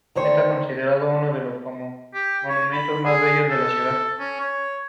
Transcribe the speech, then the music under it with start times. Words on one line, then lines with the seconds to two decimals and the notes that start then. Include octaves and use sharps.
Russia also has longstanding concerns about plans to expand the North Atlantic Treaty Organisation.
0.15 D2 D#3 C5 C#5
2.14 G4
2.49 C#5
2.73 B5
3.05 G#4
3.50 A4
4.19 C#4
4.40 C#5